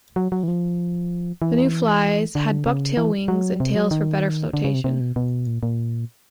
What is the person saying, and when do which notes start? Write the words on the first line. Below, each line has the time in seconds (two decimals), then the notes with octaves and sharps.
The new flies had bucktail wings and tails for better floatation.
0.16 F#3
0.32 F#3
0.43 E3
0.48 F3
1.42 E3
2.35 D3
2.66 C#3
2.97 E3
3.28 F#3
3.60 C3
3.75 F#3
3.91 D#3
4.54 D3
4.65 C#3
4.74 C3
4.84 C3
5.01 B2
5.16 B2
5.47 A#2
5.63 A#2